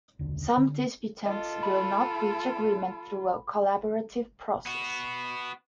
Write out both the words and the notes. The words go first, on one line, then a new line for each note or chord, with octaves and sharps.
Some disputants will not reach agreement through a collaborative process.
E1 C#2 D3
D3
F4 A4 D#5
B5
B3 F#4